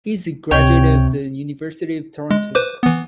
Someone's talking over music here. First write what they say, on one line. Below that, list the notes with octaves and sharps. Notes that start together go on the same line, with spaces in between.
He is a graduate of the University of Toronto.
C#2 C3 C#5 G5
G#3
B4 C5 D6
E3 B3